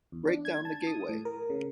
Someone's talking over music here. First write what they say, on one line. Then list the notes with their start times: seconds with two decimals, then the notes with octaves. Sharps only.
Break down the gateway!
0.12 E2
0.28 D4
0.45 G#6
0.65 A5
0.87 D#6
1.09 A2
1.25 A#4
1.50 C#3